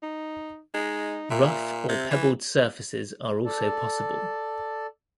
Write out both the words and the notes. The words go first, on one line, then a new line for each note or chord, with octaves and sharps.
Rough or pebbled surfaces are also possible.
D#4
G#3 D#4
A#2 E5
C3 E5
E3
A4 D5 A5